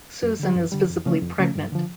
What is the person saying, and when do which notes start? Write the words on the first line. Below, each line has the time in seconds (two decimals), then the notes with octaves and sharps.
Susan is visibly pregnant.
0.23 F#2
0.40 D3 G3
0.56 F#2
0.72 D3 G3
0.90 F2
1.06 C#3 F3 A3 C#4
1.22 F2
1.39 C#3 F3 A3 C#4
1.55 G2
1.72 D3 F3